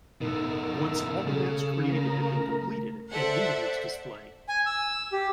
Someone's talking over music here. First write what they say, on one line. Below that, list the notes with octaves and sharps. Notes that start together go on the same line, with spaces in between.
Once all the maps created have been completed, an ending is displayed.
B2 A3 D#4 A#4
C#3 G#4 A4
A3 A#4 A#5
A4 C5 D5 E5 F#5
G#5
E6
G4